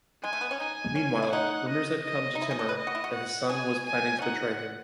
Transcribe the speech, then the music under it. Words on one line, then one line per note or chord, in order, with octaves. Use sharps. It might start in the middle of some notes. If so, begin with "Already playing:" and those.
Meanwhile, rumors had come to Timur that his son was planning to betray him.
G#3 G#5
A3
B3
C#4
D#4 G#5
C#4
E4
D#4 F#5
D#5
D#5
D#4
E4
G#4
A4
B4
D#5
F#4
E4
F#4
F#5
G#4 G#5
G#5
C#4
D#4 F#5